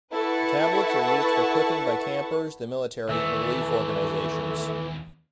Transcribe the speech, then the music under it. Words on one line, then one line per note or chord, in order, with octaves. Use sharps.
The tablets are used for cooking by campers, the military and relief organizations.
E4 A4 B4 F#5 A5 C#6
D#2 E3 A3 B3 E5 E6